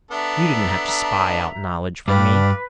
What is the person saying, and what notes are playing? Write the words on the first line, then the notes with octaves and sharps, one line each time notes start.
You didn't have to spy out knowledge from me.
B3 D4 A4 E5 A#5
G2 B4 D5 F5